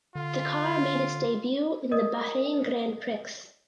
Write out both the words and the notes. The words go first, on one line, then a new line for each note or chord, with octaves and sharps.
The car made its debut in the Bahrain Grand Prix.
D3 F4
A#4 D5 D#5 D#6